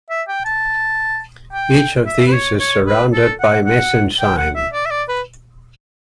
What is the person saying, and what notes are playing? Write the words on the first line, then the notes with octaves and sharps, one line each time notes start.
Each of these is surrounded by mesenchyme.
E5
G5
A5
G5
E5
B4
C#5
C#5
B4
A4
F#5
F#5
G5
F#5
E5
D5
E5
D5
B4